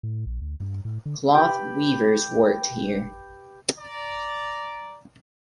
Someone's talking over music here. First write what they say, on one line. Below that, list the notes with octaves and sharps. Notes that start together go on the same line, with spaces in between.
Cloth weavers worked here.
A2
A#1
D2
G2
A2
D3
G4 B4
D5 A#5